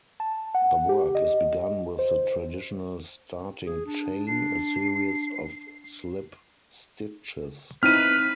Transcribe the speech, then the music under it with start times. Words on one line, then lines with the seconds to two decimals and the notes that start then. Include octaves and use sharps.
The work is begun with the traditional starting chain, a series of slip stitches.
0.20 A5
0.55 F#5
0.89 G4
1.15 D#5
1.99 C5
3.66 G#4
3.86 D4
4.27 D4 C7
7.83 C4 D#4 E4 B4 F6 D#7